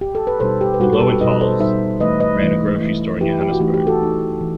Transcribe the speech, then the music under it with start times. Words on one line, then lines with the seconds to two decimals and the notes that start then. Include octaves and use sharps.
The Loewenthals ran a grocery store in Johannesburg.
0.01 G4
0.15 A4
0.27 B4
0.40 B2 G3 D#4 A4 C5
0.61 G4
0.74 B4
0.80 B2 G3 D#4 F#4 A4
0.93 A4
1.01 G4 B4
1.21 B2 G3 D#4 B4 D#5
1.41 A4 C5
1.60 B2 G3 D#4 C5 E5
2.00 E3 A3 E4 B4 D#5
2.20 B4 D#5
2.40 E3 A3 E4
2.81 E3 A3 E4
3.20 E3 A3 E4 G4 B4
3.41 G4
3.52 F#4
3.60 E3 A3 D#4 G4
3.74 G4
3.87 F#4 A4
4.00 E3 A3 D#4
4.41 E3